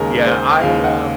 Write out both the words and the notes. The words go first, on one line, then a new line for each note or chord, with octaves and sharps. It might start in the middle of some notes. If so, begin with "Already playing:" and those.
Yeah, I, uh
Already playing: D#2 C#3 G#3 A#4
C5
D#2 C#3 G#3 F5
F#5